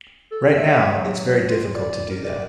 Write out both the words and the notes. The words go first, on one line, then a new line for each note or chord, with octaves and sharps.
Right now, it's very difficult to do that.
A4
E5
F#3
F4
D5
A#4
D5